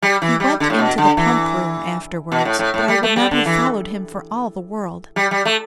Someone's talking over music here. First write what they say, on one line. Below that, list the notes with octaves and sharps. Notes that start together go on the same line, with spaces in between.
He went into the pump-room afterwards; but I would not have followed him for all the world.
G3
E3
G3
D3
A2
B2
D3
E3
B2
A2
A2
A2
G3
A3
G3
D3
E3
G3
G3
A3